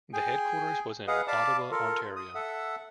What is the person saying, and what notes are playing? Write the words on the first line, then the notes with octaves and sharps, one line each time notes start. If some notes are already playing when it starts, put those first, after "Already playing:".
The headquarters was in Ottawa, Ontario.
G#4 G5 G#5
G#4 B4 D#5 F5 F#5
D5 F5 A5 B5 D6
F4 A4 A#4
D#6
A4 E5 F#5